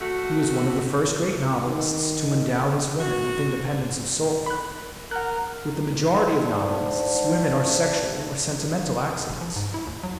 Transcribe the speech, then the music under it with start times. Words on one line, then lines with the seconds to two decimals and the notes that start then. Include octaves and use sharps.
He was one of the first great novelists to endow his women with independence of soul. With the majority of novelists, women are sexual or sentimental accidents.
0.01 A3 F#4
1.66 D#3
3.00 F#4
4.46 B5 F#6
5.11 A#4 F#5 F#6
6.40 G#2 D4
9.29 E1
9.41 F3
9.56 G#2
9.74 E4
9.87 D#2
10.03 F#3